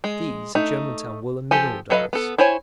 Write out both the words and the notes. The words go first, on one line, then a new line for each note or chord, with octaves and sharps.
These are Germantown wool and mineral dyes.'
G#3
A3 D#4
F3 G4 A4 G#5
F#3 A4 B4 D#5 F5
B3 A4
E4 C5 C#5 G#5